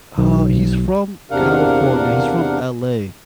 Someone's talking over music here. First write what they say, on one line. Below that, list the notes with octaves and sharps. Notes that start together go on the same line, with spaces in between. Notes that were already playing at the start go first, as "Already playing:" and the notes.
uh, he's from California. He's from LA,
B1
E2 C3 D4 A#4 F5 F#5